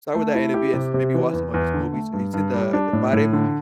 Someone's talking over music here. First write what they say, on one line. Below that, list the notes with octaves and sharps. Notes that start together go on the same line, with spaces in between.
start with that interview and s maybe watch some of his movies, have you seen the the Friday movies
A3
E4
G4
C3
C3
E3
E2
E2
D3
A3
G2
G2
G3
D4
A2
A2
D3